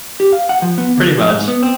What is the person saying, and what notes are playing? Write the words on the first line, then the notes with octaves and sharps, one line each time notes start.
Pretty much.
G4
F5
F#5
F3
B3
D3
F2
G#2
B3
C4